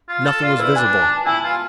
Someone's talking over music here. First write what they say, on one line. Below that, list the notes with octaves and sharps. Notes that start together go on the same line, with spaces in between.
Nothing was visible.
F4
A4
F4 D5
E4 B4
D4 G#5
A5
E4 G#5
F4